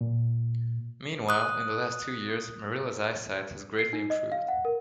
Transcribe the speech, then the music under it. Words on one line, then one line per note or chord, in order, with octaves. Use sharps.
Meanwhile, in the last two years, Marilla's eyesight has greatly improved.
A#2
D#6 F#6
C7
D#4
D#5
F5
F#5
A#4